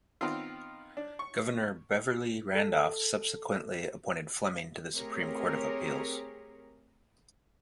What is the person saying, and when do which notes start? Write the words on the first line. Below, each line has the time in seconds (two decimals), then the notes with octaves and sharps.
Governor Beverley Randolph subsequently appointed Fleming to the Supreme Court of Appeals.
0.21 D#3 B3 C4 F4
0.97 D4
1.19 C#6
2.55 A4
4.92 A3 C4 G4 G#4 A#4 C#5